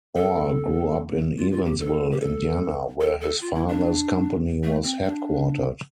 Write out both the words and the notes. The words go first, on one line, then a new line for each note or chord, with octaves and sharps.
Orr grew up in Evansville, Indiana where his father's company was headquartered.
A4
F4
F4
G4
A4
G4
A4
A4
A4
F4
E4
D4
A3
C4
D4